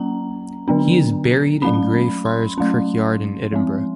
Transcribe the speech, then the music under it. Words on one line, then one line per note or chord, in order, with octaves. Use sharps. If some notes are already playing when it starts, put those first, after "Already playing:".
He is buried in Greyfriars Kirkyard in Edinburgh.
Already playing: F#3 A#3 C#4 A#5
D3 F#3 B3 D4
F#3 A3 C#4 B5
C6
F#3 A3 C#4
F3 G#3 C4